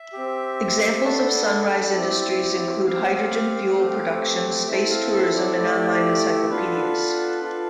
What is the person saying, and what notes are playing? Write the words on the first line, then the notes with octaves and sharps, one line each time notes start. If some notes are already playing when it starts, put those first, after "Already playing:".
Examples of sunrise industries include hydrogen fuel production, space tourism, and online encyclopedias.
Already playing: E5
C4 G4
B3 D4 A4
C4 E4 G4 D5
C4 G4 F5
A3 C4 G4
C4 E4 A4 E5
F5
E5
D5
A3 E4 G4 D5
B3 D4 F4 A4 B4
D4 F4 A4